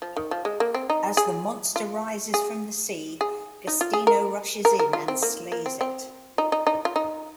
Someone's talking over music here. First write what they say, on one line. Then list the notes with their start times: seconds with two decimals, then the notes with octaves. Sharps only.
As the monster rises from the sea, Giustino rushes in and slays it.
0.02 F3
0.16 D#3
0.31 F3
0.45 G#3
0.60 A#3
0.75 C4
0.90 D#4
1.17 G#4
1.76 F4
2.34 G#4
3.21 G#4
3.67 D#4
3.81 F4
3.93 G#4
4.07 A#4
4.65 A#4
4.79 A#4
4.93 F4
5.08 C4
5.22 A#3
5.52 A#3
5.66 C4
5.81 C4
6.38 D#4
6.52 D#4
6.67 D#4
6.85 F4
6.96 D#4